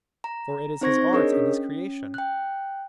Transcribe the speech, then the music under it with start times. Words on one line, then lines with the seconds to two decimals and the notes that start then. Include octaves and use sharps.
For it is his art and his creation.
0.24 A#5
0.81 C4 D#4 C5 C#6 G#6 A#6
1.13 D4 G#4 A#4 C#5 D#5
1.32 C#4
2.14 G5 F#6